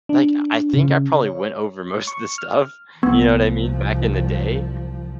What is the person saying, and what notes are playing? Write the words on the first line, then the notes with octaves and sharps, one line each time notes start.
Like, I think I probably went over most of this stuff, you know what I mean, back in the day,
D4
C#3
C#5
C#6
F6
C2 F3 B3